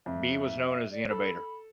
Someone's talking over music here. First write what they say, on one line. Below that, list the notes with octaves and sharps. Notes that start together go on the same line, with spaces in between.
Bee was known as the "Innovator".
F2 E5
D5
A4 B5